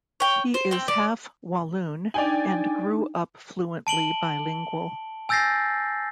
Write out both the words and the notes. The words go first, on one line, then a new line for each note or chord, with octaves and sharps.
He is half-Walloon, and grew up fluently bilingual.
C#5 G5
C5
C4 G5
D5
D4 D#4 D5 G5 G#5
A5 D7 F#7 G7
G#5 E6 G6 A6 A#6 C7